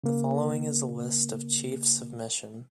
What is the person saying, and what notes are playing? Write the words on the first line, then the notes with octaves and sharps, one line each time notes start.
The following is a list of chiefs of mission.
C#3 A#3